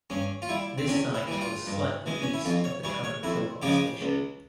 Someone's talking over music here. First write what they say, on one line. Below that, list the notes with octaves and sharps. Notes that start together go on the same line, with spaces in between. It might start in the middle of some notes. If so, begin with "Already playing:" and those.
This site was slightly east of the current Kilcock station.
G2 C#4
F4
G3 E4
C4
E2 C#4
E4
E3 G3
F4
G2
E3 G#3
C#4
E4
F2 F4
C#5
E3 G3 C#5
C#5
F2 E4
C#3 F3 G#3 G4
C#2